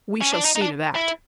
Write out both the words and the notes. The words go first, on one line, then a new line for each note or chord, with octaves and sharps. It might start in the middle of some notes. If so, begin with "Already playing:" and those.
"We shall see to that."
C#4
D4
D#4
D#4
D4
E4